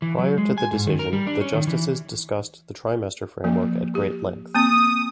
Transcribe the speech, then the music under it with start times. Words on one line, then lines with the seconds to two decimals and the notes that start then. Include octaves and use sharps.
Prior to the decision, the justices discussed the trimester framework at great length.
0.02 E3
0.19 F#3
0.38 G#3
0.58 G#5
0.73 G#2
0.87 D#3
0.99 A#4
1.13 G3
1.27 D4
1.41 C#4
1.54 D#3
1.67 E3
3.44 F3 A#3
3.95 G4
4.55 A#3 C4 D#6